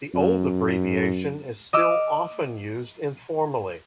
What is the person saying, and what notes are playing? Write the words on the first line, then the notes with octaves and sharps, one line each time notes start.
The old abbreviation is still often used informally.
F#2
D#5 D6 E6 F6